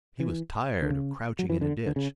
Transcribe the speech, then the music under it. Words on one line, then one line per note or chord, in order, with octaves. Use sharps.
He was tired of crouching in a ditch.
E3
D3
C#3
F#3
E3
D3
D3
C#3